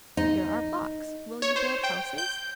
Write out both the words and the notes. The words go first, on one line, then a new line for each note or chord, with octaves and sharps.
"Here are blocks; will you build houses?"
D#4
C#5
C5
G5
G6